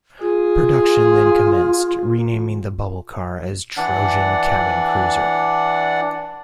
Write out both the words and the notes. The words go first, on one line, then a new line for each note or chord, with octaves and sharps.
Production then commenced, renaming the bubble car as "Trojan Cabin Cruiser".
F4 G#4
E3 D4 D5 F#5